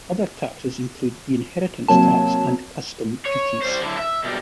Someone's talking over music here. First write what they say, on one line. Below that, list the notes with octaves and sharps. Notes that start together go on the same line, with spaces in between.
Other taxes include the inheritance tax and custom duties.
C3 F#3 A#3 A5
C#5
G3 C5
D3 E4
E5
B2 G3